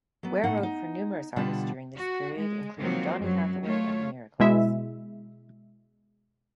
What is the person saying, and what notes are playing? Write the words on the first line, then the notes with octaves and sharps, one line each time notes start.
Ware wrote for numerous artists during this period including Donny Hathaway and The Miracles.
F#3 B3
A2 D#4 F#5
D#4
B2 D3 G3 B3 F4 A5
F#4
G#3
D#3 F3 F#3 G#3 A#3 C4
F#2 F#3
A3 F4 C#5
B2 G#3 E4 E5